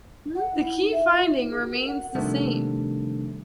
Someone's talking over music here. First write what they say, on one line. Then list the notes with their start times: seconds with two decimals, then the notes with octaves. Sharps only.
The key finding remains the same.
0.35 F#5
0.54 E4
0.77 D#4
0.92 E5
1.11 F4
1.23 F4
1.37 D#4
1.49 G#4
1.62 F#4
1.73 A#4
1.87 F#5
2.15 C3 D#3 F3 G3 A3 D4